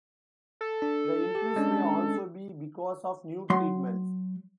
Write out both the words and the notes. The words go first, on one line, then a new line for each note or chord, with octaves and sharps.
The increase may also be because of new treatments.
A4
D4
G4
G#3 C#4 D4
F#3 C6